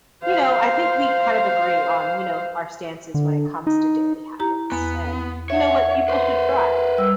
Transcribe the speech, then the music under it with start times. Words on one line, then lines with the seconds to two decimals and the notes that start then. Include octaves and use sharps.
you know I think we kind of agree on, you know, our stances when it comes to daily habits, and, you know, what people should try.
0.24 C5 F5
3.14 D3
3.67 D#4
4.39 E4 G4 A#5
4.72 E2 B3
5.50 C#5 E5 F#5
6.08 B4 C5
6.98 G3 E6